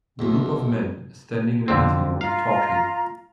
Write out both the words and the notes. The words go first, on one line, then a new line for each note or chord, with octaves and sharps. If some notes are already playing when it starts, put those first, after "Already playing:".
Group of men standing in a meeting room, talking.
B1 E2
F2 D3 C4
F4 F5 A#5